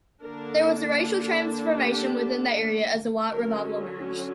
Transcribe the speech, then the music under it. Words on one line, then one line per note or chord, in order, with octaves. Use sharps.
There was a racial transformation within the area, as a white revival emerged.
D3 A#3 D4 A#4
G4
D3 F#3 C#4 A#4